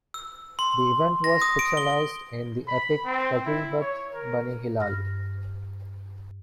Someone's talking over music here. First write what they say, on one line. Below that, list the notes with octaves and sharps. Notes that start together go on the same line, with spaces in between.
The event was fictionalized in the epic "Taghribat Bani Hilal".
E6
C6
A#6
D#6
D7
G7
B5
C4
E4
C#5
A#4
G2 F6 A#6